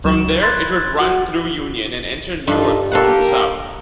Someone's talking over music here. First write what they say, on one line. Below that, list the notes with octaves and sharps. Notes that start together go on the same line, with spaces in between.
From there it would run through Union and enter Newark from the south.
C#2 F#3 E7
B5 C6 F#6 G#6 A6
F#4 F#5
G2 D#4 F4 A4
A#3 G4 A4 A#4 F5 F#5